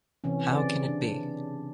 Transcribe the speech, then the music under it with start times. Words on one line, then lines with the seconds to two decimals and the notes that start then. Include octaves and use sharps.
How Can it Be?
0.24 C3 E3 C4 C#4
0.49 C#3 D5
0.88 D4